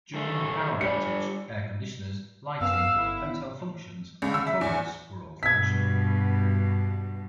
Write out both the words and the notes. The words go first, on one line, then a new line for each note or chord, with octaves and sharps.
During the power outage, air conditioners, lighting, hotel functions, and toilets were all functional.
F#2 A3
D3 G3 D5 C#7
F#2 B3 F5 E6
G1 E4
C#2
E6
E5
E2
G2 B2 G#6 B6